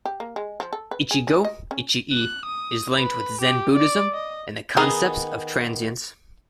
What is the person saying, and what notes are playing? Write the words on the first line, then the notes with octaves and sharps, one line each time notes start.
"Ichi-go ichi-e" is linked with Zen Buddhism and concepts of transience.
G4
A#3
G#3
F3
A4
B4
G#4
C#4
D#5
C#4
F#6
D#6
B4
G4
D5
D#5
D#3 B3 G#4 D#5 A#5